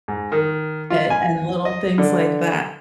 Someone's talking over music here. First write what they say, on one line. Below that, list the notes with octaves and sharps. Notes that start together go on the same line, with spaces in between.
and and little things like that,
G#2
D#3
F4
G#5
D#5
D3